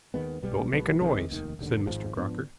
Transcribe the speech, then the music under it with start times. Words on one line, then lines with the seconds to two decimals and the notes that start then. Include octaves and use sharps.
"Don't make a noise," said Mr. Crocker.
0.14 D#2 D#3 G#3 B3
0.43 B1 B2 G3 B3
0.72 B1 B2 G#3 B3
1.01 C2 C3 D#3 G#3
1.30 F1 D#2 D#3
1.59 F1 D#2 D3
1.87 G#1 G#2 F3
2.17 G#2 F3 B3 D4